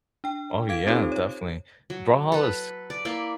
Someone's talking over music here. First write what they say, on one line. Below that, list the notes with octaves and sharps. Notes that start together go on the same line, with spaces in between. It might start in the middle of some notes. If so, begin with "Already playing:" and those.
Oh yeah, definitely. Brawlhalla is
D4 G5
A4 F5 G#6 D7
C4 D#4 F4 G4 A4 C5
C#5
F#3
A4 B4
D5
A#3 E4 D5